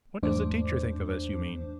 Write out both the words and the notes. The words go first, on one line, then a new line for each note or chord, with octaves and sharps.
"What does the teacher think of us, you mean?"
E2 G#2 A3 D4 C5 D6